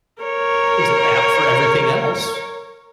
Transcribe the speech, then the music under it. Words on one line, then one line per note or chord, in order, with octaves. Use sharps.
Th there's an app for everything else.
A#4 C#5